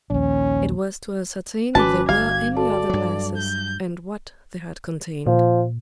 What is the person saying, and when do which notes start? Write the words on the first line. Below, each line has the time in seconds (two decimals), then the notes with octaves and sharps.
It was to ascertain if there were any other glasses, and what they had contained.
0.10 A#1 D#2 C#4
1.75 G#1 C#4 F#4 B4 G#5 A5 D6
2.09 G1 F5 G#6
2.57 F#4 A4 D5 A5
2.90 G2 F#3
3.37 G6
5.27 A#2 F3